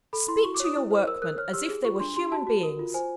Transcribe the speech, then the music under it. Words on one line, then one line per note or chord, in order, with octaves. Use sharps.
Speak to your workmen as if they were human beings.
A4 B5
E4 C6
F#4 C#6
D6
C#5 D#6
E4
C5
A#4 E6
A#4 F#6
C#5 F6
G4 E6
G#4
F4 C#6
D4 C6
G4 C6
F#4 A5
F#4
A#4
F4
C5 G#5